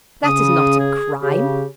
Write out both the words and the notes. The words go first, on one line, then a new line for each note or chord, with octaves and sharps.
That is not a crime.
C#3 D#6
G#4
C#3 G4